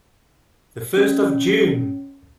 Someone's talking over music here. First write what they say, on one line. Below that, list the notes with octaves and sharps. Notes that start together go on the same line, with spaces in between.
The first of June!
C#4